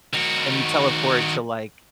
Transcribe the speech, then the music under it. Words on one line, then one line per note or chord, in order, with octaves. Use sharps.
and you teleport to, like
D#3 F#4